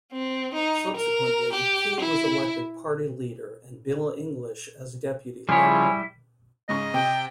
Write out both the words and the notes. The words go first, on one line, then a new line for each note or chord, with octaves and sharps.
Subsequently, Key was elected party leader and Bill English as deputy leader.
C4
D#4
A#4
G4
E4
C#3 F3 G3 E4 G#4 C#5
G#2 C#3 D#5 C#6
C3 G5